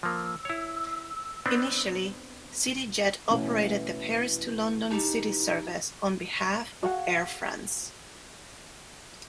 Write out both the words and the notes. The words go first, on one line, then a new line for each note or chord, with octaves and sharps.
Initially, CityJet operated the Paris to London City service on behalf of Air France.
F3 A#3 E6
E4 C#5
B3 C4 D4
B2 E3 A3 C#4 E4
D#4 G4 A5
F#4 G#4 F5 F#5